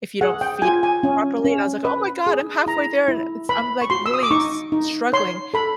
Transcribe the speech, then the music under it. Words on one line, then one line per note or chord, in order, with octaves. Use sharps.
if you don't feed properly." and I was like, "Oh my god! I'm halfway there and it's I'm, like, really s struggling."
G#4 F#5
G5
F4 G#5
G#5
C#4
C#4
B4
G#4
E4 A#5
E4
B4 B5
C#6
F#4 C6
E6
D#6
D6
D#4 C#6
D#4
C#5 C6
A4 B5